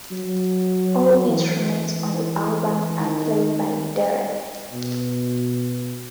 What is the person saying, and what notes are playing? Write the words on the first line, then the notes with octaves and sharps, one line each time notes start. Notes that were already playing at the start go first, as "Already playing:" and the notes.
All instruments on the album are played by Derek.
F#3
E3
D#3
B2